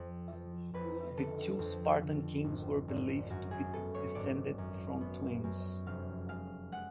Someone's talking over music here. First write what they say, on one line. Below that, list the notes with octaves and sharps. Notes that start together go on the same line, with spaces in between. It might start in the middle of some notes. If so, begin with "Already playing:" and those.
The two Spartan kings were believed to be descended from twins.
Already playing: F2
F3
F2 B4
D3 A4
F2
D3
G#1
G#1
F#2 F#4
G#4
B3 A4
C#5
G#1 D5
F#2
B3
F#2
F1 F5
G#3 F5
G#3 F#5